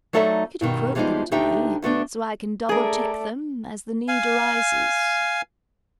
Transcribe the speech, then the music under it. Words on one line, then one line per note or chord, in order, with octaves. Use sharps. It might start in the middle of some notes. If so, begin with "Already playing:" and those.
"Could you quote them to me, so I can double-check them as the need arises?"
F#3 A3 D#4 A4 D5 E5
G2 B2 D#3
E3 F3 G3 G#3 B3 D#4
D2 D3 D#4 G4 E5 G5
D2 A3 B3 D4
A3 G#4 A#4 D5
F5 G#5